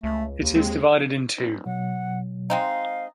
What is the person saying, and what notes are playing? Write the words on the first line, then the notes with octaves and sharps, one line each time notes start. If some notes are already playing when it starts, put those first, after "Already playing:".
It is divided in two.
C#2 A3
D#2
G#3 C4
B2 F#3 F#5
G#3 C4 D#4 F5